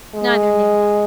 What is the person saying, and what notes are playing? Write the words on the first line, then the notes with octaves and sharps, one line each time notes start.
Neither knew.
G#3